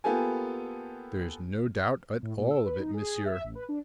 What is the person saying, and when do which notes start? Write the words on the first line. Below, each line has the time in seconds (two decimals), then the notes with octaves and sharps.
"There is no doubt at all of it, monsieur."
0.04 A#3 B3 F4 G4 A4 G#5
2.23 A2
2.38 A#2
2.51 E6
2.66 B4
2.80 D#4
2.94 G#4
3.25 E5
3.44 A1
3.55 B4
3.69 D4